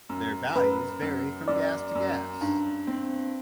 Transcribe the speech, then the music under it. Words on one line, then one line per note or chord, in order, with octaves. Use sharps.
Their values vary from gas to gas.
F#2
F#2 B4
F#2
F#2 D5
F#2
G2
C4